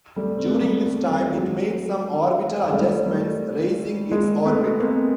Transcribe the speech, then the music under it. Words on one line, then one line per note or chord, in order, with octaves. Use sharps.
During this time it made some orbital adjustments, raising its orbit.
G3 A3
C4
B3
A#3
G3 A3
A3 B3
G3 A3
F#3 G#3
G#3
G3 A3
G3 A3
G#3 A#3
A3 B3
A#3 C4